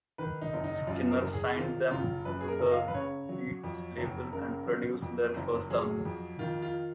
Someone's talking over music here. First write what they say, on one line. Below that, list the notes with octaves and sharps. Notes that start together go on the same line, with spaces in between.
Skinner signed them to The Beats label and produced their first album.
D#3 B4
D#4
F#1
D#4
F#2 F4
A#4
F#1
G#4
D#3 F4
F#1 F4
F#2 B4
G#4
A#4
F#1
D#5
F5
B4
C#3 C#5
F#3
F2
F#1
C#3 A#4
F#3
F2
F#1
F#3 G#4
F2
D#3 F4
F4